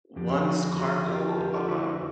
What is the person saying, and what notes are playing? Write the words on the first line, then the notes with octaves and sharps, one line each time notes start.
once cargo, uh,
F2 D3 F3 G4
F#4 G#4
F#4 G#4
F4 G4
F4 G4
E4 F#4